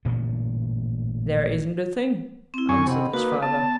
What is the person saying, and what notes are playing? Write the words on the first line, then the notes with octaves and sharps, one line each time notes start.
"There isn't a thing," answered his father.
A1 G2 A#2 D3
C4 E4
F#2 G#5 C#6
C3 C4 D#5 F#5 B5
A#3 D#4 F#4 B4
B3 A5